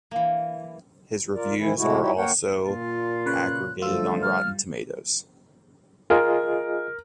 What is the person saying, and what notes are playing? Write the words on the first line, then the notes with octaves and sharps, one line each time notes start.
His reviews are also aggregated on Rotten Tomatoes.
E3 A#3
F4 A#4 D5
G#2 D#3 E3 E4
A2 C3 G#3 A3 E4 F#4
F#3 G3 D#4 E4 F#4 G4
D2 A#3 A#4 C#5 F#5 G5
A#2 F4
C#3 B4 C#5 F#6
D3 F3 G3 A3 F4 E6
F6
F4 G#4 A#4 D#5